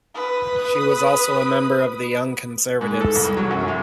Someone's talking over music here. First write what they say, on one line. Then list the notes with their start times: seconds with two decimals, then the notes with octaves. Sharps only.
She was also a member of the Young Conservatives.
0.15 B4 D#6
2.81 G#2
3.01 A4
3.15 C2
3.37 F#3
3.51 F#2
3.68 C3